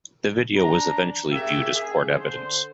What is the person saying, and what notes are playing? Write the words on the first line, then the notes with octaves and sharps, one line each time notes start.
The video was eventually viewed as court evidence.
D4 A#5
C#3 A#3 G4 E5
G#4
D3 C5